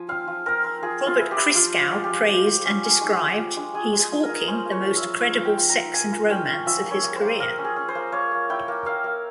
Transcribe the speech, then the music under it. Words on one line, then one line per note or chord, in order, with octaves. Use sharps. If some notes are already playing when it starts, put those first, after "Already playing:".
Robert Christgau praised and described: he's hawking the most credible sex-and-romance of his career.
Already playing: F3 G#5
C4 F5
F3
C4 A#4
C4
F3 G#4
C4
F4
E4
G4
E4
F3 F4
F3
F4
G#3
G4
F3
F3
F3
C#4
C#4
G#3
F3
F3
G#3
G#3 G#4
G#3
G#4
F3
A#4
F3
C#4 C5
A#3
C#5
F3
E5
F3
F4 F5
F3
G5
F4
A#5
F3
A#3 G#5
F4
C#4 G5
C#4
F3 E5
A#3
C#5
A#3
C5
A#3
A#3 A#4
C#4
G#4
C#4
C5
A#3
A#3 C#5
A#3
E4 G5
A#3
A#3 F5
A#3